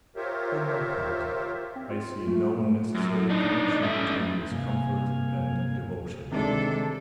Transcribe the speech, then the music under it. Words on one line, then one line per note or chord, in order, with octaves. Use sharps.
For my part, I see no necessary connection between discomfort and devotion.
F4 G4 A#4 C5 C#5 E5
C4
F4
A3
F#2
D4 D#4
A3 C#4 E5
G2 C3 A#3 F5 G#5
C3 D#3 G#3 D4 A4